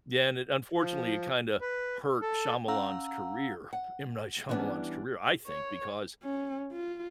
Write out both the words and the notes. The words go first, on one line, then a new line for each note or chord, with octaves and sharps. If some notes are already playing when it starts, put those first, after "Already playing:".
Yeah, and it unfortunately, it kinda hurt Shyamalan's career M. Night Shyamalan's career- I think- because
F3
B4
A4
C#4 F5 F#5 A#5 E6
F#5
D3 E3 G3 B3 C#4 D4
C#5
C#4
F4